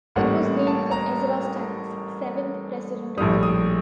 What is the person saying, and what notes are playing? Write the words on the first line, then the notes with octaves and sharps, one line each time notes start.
It was named for Ezra Stiles, seventh president of Yale.
A1 A2 G3 A#3 F#5
A5
A#5
A#1 A2 G3 D#6
D#6